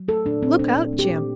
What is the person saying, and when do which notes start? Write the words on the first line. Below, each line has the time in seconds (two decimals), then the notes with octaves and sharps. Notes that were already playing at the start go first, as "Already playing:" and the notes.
'Look out, Jim!
Already playing: F#3
0.08 A3 A4
0.25 A#2 D4
0.42 A#2 C4
0.59 A#2 D4
0.76 A#2
0.93 A3
0.99 G4
1.10 A#2